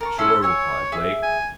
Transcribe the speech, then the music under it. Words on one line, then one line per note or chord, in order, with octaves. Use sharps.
"Sure," replied Blake.
A#4 A5 C#6
C#4 E4 A4 C6
C#5 F#5 G#5 E6
G#4 E5
G#5